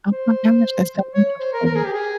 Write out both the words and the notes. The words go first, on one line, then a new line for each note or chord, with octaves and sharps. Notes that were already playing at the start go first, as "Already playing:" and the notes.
Oh my gosh, that's so interesting.
C5
C#5
C5
A#4
A#4
G#4
G4
G#4